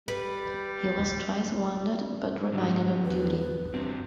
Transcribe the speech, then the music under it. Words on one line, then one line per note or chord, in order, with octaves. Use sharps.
He was twice wounded but remained on duty.
G3 B4
G#2 D3 F#3 G3
E2 B4
G2 F#3 C4 G4